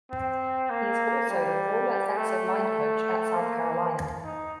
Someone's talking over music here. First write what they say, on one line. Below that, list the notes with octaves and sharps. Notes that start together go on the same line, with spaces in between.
He is also the former offensive line coach at South Carolina.
C4
A#3
G3
A3
A#3
D#4